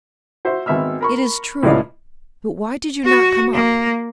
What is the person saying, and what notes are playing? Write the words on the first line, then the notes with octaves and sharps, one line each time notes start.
"It is true, but why did you not come up?"
F#4 C5 E5
G#1 B3 E5 E6 F6
A#4 B5 C#6
C#2 A2 E4 D5 D#5 F5
F#4
A#3